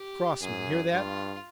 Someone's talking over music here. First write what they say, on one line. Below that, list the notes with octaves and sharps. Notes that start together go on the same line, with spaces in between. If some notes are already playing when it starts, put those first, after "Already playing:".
Crossman! hear that?
Already playing: G4
F#2 G#4
G2 F4